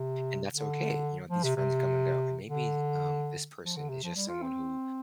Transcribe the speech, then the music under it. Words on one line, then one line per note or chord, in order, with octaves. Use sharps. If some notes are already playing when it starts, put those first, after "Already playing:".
and that's okay, you know, these friends come and go, and maybe, um, this person is just someone who,
Already playing: C3
D3
F3
C3
C3
D3
F3
D3
C3
F3
G3
F4
C4